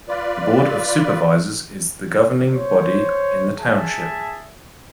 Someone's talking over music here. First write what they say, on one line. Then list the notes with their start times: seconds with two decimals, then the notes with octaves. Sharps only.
The Board of Supervisors is the governing body in the Township.
0.08 F4 B4 D5
2.53 C5 C#5
3.60 G#4 E5 A5